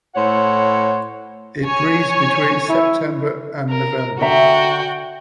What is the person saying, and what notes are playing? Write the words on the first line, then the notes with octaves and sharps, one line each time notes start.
It breeds between September and November.
A2 C5 C#5 F#5
C#5 G#5
E4
A#4
D3 F#4 E5 G5 A#5